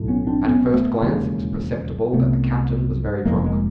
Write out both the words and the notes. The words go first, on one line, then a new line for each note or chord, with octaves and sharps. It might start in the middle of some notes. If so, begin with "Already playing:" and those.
At a first glance it was perceptible that the captain was very drunk.
Already playing: B1 A2
B3 C#4
C4 D4
B3 C#4
A3 B3
E1 D#2 C#3 G#3 A#3
C2 C3 A3 B3
F1 F2 D3 G#3 A#3
G#3 A#3